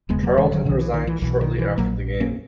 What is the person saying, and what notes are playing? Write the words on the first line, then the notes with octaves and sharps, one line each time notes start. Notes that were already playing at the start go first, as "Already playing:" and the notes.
Charlton resigned shortly after the game.
E1 E2 C#3 G#3 B3
F#3 A#3
E3 G#3
D#3 F#3
B1 B2 D#3 F#3
E3
D#3
E3
B1 B2 E3
D#3
E3
A#1 A#2 F#3 A#3
A#3 C#4